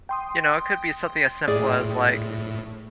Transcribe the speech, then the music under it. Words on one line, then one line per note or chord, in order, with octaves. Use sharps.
you know, it could be something as simple as like
G5 C6 D#6
A2 G#4 D5